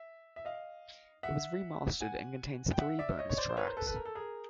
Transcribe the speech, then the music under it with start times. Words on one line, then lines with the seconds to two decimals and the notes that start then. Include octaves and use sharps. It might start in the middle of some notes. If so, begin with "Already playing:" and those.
It was remastered and contains three bonus tracks.
Already playing: E5
0.36 E5
0.45 D#5 F5
1.23 E5 F#5
2.01 F#5 G#5
2.74 G5
2.79 E5 F#5
2.99 D5 E5
3.19 C#5 D#5
3.30 C#5
3.37 C5 D5
3.49 C5
3.57 B4 C#5
3.67 A#4 C5
3.77 A4 B4
3.87 A4 B4
3.96 A#4
4.05 A4
4.15 G#4 A#4